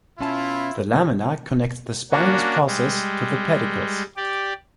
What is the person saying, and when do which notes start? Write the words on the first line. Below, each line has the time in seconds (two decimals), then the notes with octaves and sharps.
The lamina connects the spinous process to the pedicles.
0.19 B2 C#4 E4 F4 A5
2.11 A#3 C#4 D4 F#4
2.66 G3 G#3
4.17 G4 D5